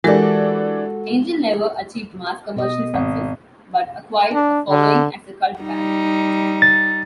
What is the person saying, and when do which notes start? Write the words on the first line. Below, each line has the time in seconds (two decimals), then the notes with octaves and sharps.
Angel never achieved mass commercial success but acquired a following as a cult band.
0.04 E3 G#3 D4 F#4 G4 A4 A#4
2.56 B2 D#5
2.94 G#1
4.33 D4
4.69 D3
5.60 G3 D#4
6.62 A6